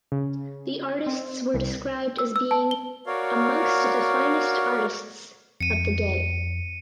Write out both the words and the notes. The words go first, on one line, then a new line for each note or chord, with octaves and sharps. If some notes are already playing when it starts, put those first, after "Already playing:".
The artists were described as being "amongst the finest artists of the day".
C#3
C4
C2
E6
E6
A5
G7
F#4 A#4 C#5 D5 F5
F2 C#7 D#7